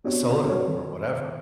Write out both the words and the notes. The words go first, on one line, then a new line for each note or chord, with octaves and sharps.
a soda or whatever.
B3 C4 D4 F#4 G4 C#5
G3 C4 F#4 A4 B4 C#5
D#3